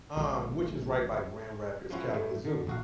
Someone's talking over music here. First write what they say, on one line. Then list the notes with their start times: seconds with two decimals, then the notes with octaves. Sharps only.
um, which is right by Grand Rapids, Kalamazoo.
0.17 A#1 D3 G#3
1.90 F3 G#3 C#4 E4 F#4
2.14 A2 G3 A3
2.45 D3
2.67 A#1 F#4 F5